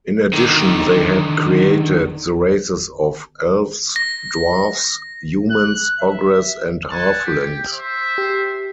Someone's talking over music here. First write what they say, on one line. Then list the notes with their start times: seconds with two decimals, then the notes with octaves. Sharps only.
In addition they had created the races of Elves, Dwarfs, Humans, Ogres and Halflings.
0.33 D3 D#3
3.96 A#6
5.51 F#6
6.00 E5
6.91 F#5 G#5 A5
7.25 G4
7.71 C5 E5
8.18 G4